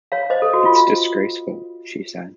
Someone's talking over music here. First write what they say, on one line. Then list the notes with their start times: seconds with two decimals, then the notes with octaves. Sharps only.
"It's disgraceful," she said.
0.12 C#5 F5
0.30 C5 D#5
0.42 A4
0.53 F#4
0.65 F4